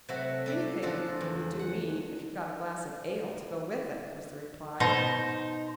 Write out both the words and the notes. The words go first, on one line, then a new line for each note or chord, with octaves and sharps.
"Anything will do me, if you've got a glass of ale to go with it," was the reply.
C3 F#3 A3 F#4 E5 F#5
G3 D4 A4
C#3 F3 D4 F4 F#4 A4
E2
F#5
B2 D#4 C5